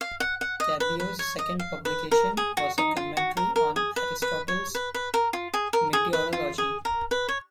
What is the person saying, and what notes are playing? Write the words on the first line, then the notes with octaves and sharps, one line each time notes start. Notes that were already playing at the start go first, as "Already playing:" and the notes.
Cabeo's second publication was a commentary on Aristotle's "Meteorology".
F5
F#5
F#5
D#5
B4
B4
C#5
D#5
F5
B4
A#4
G#4
F#4
D#4
F4
F#4
A#4
A#4
G#4
B4
B4
C#5
B4
B4
A#4
F4
G#4
A#4
G#4
B4
F4
G#4
A#4
B4
C#5